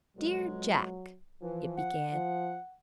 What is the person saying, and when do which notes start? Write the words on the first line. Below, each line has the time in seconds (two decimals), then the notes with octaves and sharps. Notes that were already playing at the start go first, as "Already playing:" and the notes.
"Dear Jack," it began.
0.17 F2 B2 F#3 G#3
1.42 E3 F3
1.77 F#5
2.13 F3